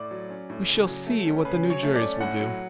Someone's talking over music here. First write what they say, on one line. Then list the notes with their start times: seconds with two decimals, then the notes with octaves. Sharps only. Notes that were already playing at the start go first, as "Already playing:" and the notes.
We shall see what the new juries will do.
Already playing: A2 D5
0.11 F#3
0.30 C#4
0.50 A2
0.68 C#3
0.87 F#3
1.07 A3
1.25 C#4
1.45 C#3 B4
1.63 F#3
1.70 C#5
1.83 A3
1.95 D5
2.01 C#4
2.21 A2 F#5
2.40 F#3